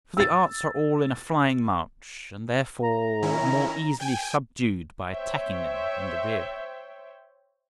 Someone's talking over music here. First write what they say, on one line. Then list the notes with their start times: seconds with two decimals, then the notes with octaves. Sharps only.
For the arts are all in a flying march, and therefore more easily subdued by attacking them in the rear.
0.17 E6 A6
2.83 A#5
3.22 D#3 C#4 E4
4.00 G5 G#5
5.11 C5 C#5 E5 G5